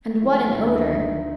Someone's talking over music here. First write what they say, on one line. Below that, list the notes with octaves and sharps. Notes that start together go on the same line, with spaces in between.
And what an odour!
F3 E4
D3
E4
D2
E4
D2
F3 D#4
D3